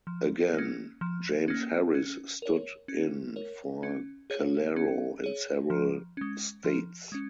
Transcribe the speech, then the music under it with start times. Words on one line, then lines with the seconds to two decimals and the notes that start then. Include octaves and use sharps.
Again, James Harris stood in for Calero in several states.
0.07 F3
0.54 A#3 C#4
1.01 F3
1.48 A#3 C#4
1.95 C#4
2.42 A#4 C#5
2.88 C#4
3.36 A#4 C#5
3.83 C#4
4.30 G#4 C#5
4.76 C#4
5.24 G#4 C#5
5.70 F3
6.17 G#3 C#4
6.64 F3
7.12 G#3 C#4